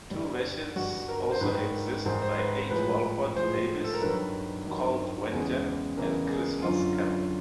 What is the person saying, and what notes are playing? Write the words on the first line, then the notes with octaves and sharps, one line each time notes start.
Two versions also exist by H. Walford Davies, called "Wengen", and "Christmas carol".
G2 D3 G3
G2 D3 G3 F#4
A#4
C5
G#2 D#3 G3 B4
G#2 D#3 G3 C5
C5
B4
A2 F3 G#3 B4
A2 F3 G#3 C5
A4
A#4
G2 D#3 F#3 B4
G2 D#3 F#3
E2 C#3 E3 G#3
E2 C#3 E3 G#3 A#4
G#4
F#2 D3 F#3 F4
F4